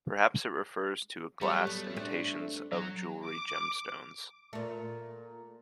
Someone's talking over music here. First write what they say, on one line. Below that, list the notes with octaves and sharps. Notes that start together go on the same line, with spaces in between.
Perhaps it refers to glass imitations of jewellery gemstones.
F#3 G3 A3
B3
C4 D4
F#3
D6
A#2 A3